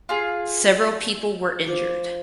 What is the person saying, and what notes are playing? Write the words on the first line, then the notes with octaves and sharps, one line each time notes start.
Several people were injured.
F4 G#4
F3 D5